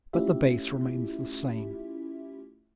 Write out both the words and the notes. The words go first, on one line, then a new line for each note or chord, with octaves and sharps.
But the base remains the same.
A3 C#4 E4 F4 G4 E5